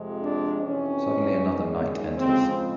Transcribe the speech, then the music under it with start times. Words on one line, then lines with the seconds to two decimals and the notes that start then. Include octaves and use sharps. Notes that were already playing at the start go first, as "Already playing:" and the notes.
Suddenly, another knight enters.
Already playing: F2 C3 F3 G#3
0.22 D4
0.60 F2 C3 E3 C#4
1.39 G#2 D#3 G#3
2.16 F2 C#3 F3 G#3 C4